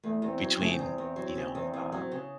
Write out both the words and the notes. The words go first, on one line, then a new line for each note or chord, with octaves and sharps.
between, you know, um,
E2 A3
E2
C4
F#3
C4
C#3 A3
C4
E2
E2
F#3
C#3
E2
E2
F#3
C#3